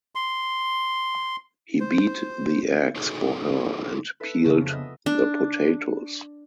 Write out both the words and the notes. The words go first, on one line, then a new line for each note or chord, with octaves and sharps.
He beat the eggs for her and peeled the potatoes.
C6
C5
D#4 F#4 G#4 A4 C#5 D#5
A4 B4 E5
F2 C#3 A#3 D4
B3 D#5 E5
D4